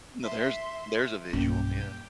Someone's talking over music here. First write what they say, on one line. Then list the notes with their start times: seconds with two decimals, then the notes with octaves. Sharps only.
Now there's there's a visual, yeah.
0.21 E5 C6
1.33 B1 G2 A#3 C#4 G4